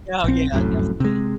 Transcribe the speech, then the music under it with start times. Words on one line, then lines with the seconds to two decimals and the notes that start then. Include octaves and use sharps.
Oh, yeah. Definitely.
0.24 A#1 C4
0.52 F1 C2 F#2 A2
1.00 C3 G#3